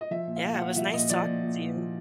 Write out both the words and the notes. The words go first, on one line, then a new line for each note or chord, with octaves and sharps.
Yeah, it was nice talking to you.
D#5
F3 E5
A#2
F5
A#2
F#5
A#2 F5
F3 E5
A#2 D#5
F3 D5
A#2
A#2
A#2
F3